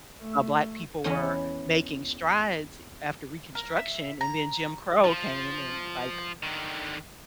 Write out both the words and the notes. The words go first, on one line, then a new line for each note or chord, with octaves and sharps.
uh, black people were making strides, eh, after Reconstruction, and then Jim Crow came and, like,
A3
E2 C#4 E4 C#5 D#5
A#4
E5
A#5
F3
D3 D#3